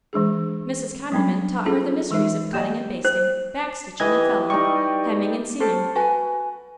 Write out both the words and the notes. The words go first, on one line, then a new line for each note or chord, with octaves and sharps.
Mrs. Condiment taught her the mysteries of cutting and basting, back-stitching and felling, hemming and seaming.
E3 G#3 D4 G#4
F#3 G3 B3 C#4 D4
C#4 D4 F4 G#4 A4
E3 G#3 D#4 A#4 E5
A#3 G4 D5 D#5 G#5
C5
E3 G4 B4 D#5 G#6
G3 D#4 C#6
C#4 G4 A4 C5
F#4 B4 G#5